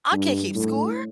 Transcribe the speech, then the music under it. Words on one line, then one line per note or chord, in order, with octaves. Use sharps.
I can't keep score.
G2
A2